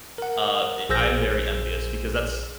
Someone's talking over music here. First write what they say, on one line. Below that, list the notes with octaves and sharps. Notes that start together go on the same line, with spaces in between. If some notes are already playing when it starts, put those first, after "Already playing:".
uh, i I am very envious because that's
A#4 F#5
A#1 G#4 C5 E6 G6 A#6